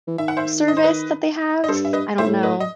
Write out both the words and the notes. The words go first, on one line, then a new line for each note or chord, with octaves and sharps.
service that they have? I don't know,
E3
D#3 E5
F#5
C5 E5
D#5
C5
B4 D#5
D#5
G2 A4 C5
E5
B4 D#5
A2 C5 E5
B4 D#5
D#5